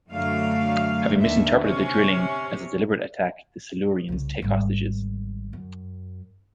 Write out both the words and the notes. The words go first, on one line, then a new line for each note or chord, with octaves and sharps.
Having misinterpreted the drilling as a deliberate attack, the Silurians take hostages.
F#2 D3 F#3 A3 F5
D#2 D3 E5
C3 C#4
C2 C#3
G#1 G3
F#2